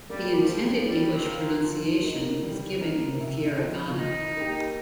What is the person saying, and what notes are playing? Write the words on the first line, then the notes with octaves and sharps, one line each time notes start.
The intended English pronunciation is given in furigana.
G3 A#3
F3
G4 C5
F3
G3 A#3
C4
F4 A#4
C4
F3
A#3 D#4
G3
A#3 D#4 A#4
C3
F3 C4 D#4
D#3 D#4
A#3 G4